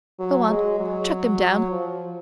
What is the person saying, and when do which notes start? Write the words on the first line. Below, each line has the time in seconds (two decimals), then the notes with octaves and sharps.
Go on! Chuck them down!
0.19 F#3
0.49 G#3
0.80 F#3
1.71 F3